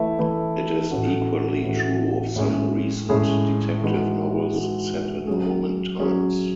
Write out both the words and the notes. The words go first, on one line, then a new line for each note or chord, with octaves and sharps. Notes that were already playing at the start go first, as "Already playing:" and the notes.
It is equally true of some recent detective novels set in Roman times.
Already playing: E3 A3 E4
E3 A3 E4
A2 E3 A3 C#4 F#4
A2 E3 A3 C#4 F#4
A2 G#3 C#4 G#4
A2 G#3 C#4 G#4
E3 G#3 D#4 F#4
E3 G#3 D#4 F#4
F#3 C#4 G#4
F#3 C#4 G#4